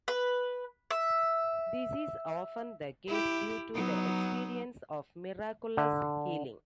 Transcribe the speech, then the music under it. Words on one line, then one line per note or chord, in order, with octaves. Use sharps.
This is often the case due to the experience of miraculous healing.
B4
E5
E4 G4
F#3 B3 D#4
D3